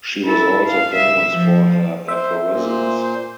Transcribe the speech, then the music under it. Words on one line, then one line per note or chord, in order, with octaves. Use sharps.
She was also famous for her aphorisms.
E4 A4
F5
E5
F3
C5 E5
A#2 C5